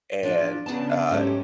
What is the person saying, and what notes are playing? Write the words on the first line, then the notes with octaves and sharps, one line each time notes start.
and, uh,
F3 D4 F4
C#3 B3 D4 A5
G#2 F#3 A3 C#4 G4